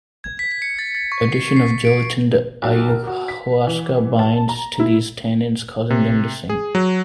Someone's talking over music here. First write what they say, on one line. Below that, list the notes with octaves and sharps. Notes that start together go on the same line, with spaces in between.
Addition of gelatin to ayahuasca binds to these tannins, causing them to sink.
G#6
B6
C#7
A6
A6
C#6
C7
C7
D7
B1
A#4
F#4
B6
E3
A5
A#5
E4
C3
G#4
F#3